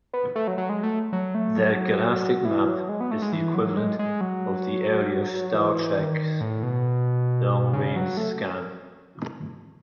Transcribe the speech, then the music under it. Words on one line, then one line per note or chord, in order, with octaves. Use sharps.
The Galactic Map is the equivalent of the earlier "Star Trek"'s Long Range Scan.
B3
A3
F#3
F#3
G#3
A3
F#3
A3
F#3
E3
F#3
G#3
B3
A3
G#3
E3
F#3
G#3
G#3
F#3
E3
D#3
A2
B2
C#3
F#3
A3